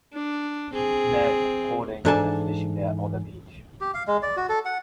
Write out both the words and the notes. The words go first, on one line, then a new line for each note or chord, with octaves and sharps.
Men holding a fishing net on the beach.
D4
C4 G#4
G#2 E3 D4 A4 G#5 A5
G4
F5
G#3
D5
F#4
A4
F#5